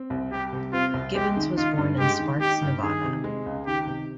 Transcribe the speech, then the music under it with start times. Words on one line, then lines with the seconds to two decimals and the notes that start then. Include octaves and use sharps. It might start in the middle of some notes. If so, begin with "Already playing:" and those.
Gibbons was born in Sparks, Nevada.
Already playing: C4
0.10 C2
0.32 G3 G4
0.53 C3
0.73 C4 F4
0.94 C2
1.15 G#3 G4
1.37 D#3
1.57 D#4 F4
1.78 G2
1.99 G#3 G4
2.19 D#3
2.40 D#4 G4
2.62 G2
2.83 D#3 G#4
3.04 C3
3.24 G#3
3.46 C#2
3.67 D#3 G4
3.87 C3